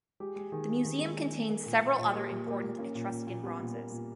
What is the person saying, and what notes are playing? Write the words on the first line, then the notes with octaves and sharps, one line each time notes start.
The Museum contains several other important Etruscan bronzes.
G#3 G4
G#3
D#3 G#4
G#3
D#3
G#3
G#3
G#3
A#3
A#2
A#2
A#2
A#3 G4
A#2
A#3 G4
A#2
A#3 C#4
A#2
A#2
A#2
G3 B3
A#2
A#3
A#2